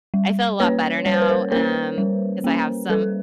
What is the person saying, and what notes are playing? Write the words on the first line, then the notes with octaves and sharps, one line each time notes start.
I feel a lot better now, um, 'cause I have some
G3
A#3 C#4 B4 C#5
G3 C#5
C5
B4
A#4 C5
A#3 C#4 A#4 C5
G3
A#3 C#4
G3 A4 B4